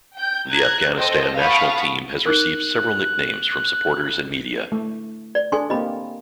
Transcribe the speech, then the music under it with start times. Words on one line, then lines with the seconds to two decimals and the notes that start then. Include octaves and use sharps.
The Afghanistan national team has received several nicknames from supporters and media.
0.14 G5 G6
0.51 A#5 F#6 G#6
0.95 A4 C5 D#5 G5
1.36 F5 F#5 A5 B5 C#6 D#6
2.25 D#4 A#4 F#6
4.72 A3
5.35 D5
5.52 D4 A4 G#5 C6
5.70 A#3 C4 G4 D#5 B5